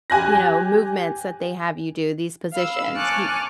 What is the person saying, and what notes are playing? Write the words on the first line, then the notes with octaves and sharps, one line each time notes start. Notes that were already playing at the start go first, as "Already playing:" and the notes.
you know, movements that they have you do, these positions, y
G4 G#5 F#6 A#6
F5 B5 E6
G#5 A5 C#6 D6 F6 F#6